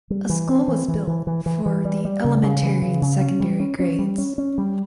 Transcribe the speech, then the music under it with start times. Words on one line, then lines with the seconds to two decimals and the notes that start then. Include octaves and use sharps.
A school was built for the elementary and secondary grades.
0.10 G3
0.29 E3
0.49 C4
0.68 E3
0.88 E3
1.07 E3
1.27 E3
1.46 E3
1.66 E3
1.85 G3
2.05 G3
2.24 C#3
2.43 C#3
2.63 E3
2.82 C#3
3.02 C#3
3.21 C#4
3.40 G3
3.60 C#4
3.80 C#4
3.99 G3
4.18 C#4
4.38 C#4
4.58 G3